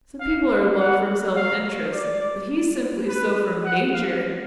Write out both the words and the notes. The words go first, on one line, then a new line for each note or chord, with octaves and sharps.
Some people are low from self-interest, but he's simply so, from nature.
F5
F#5
F5
D5
B4
F#5
F5